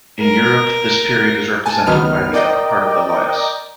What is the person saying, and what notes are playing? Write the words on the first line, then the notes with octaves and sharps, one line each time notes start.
In Europe this period is represented by the upper part of the Lias.
A#4
G#5 A5
C#2 D#3 F#3 B3 D#4 F6
A#4 D5 D#5 G5